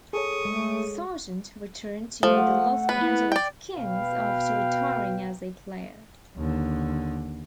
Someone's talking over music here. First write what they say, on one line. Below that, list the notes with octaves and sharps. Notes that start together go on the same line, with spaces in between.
Sargent returned to the Los Angeles Kings after retiring as a player.
G#4 A4 C#5 C#6 D#6
G#3 A3
F3 A3 C5
F#5
B3 B4
E4
D5 G5
B2 B4 F5 G5
D#2 D3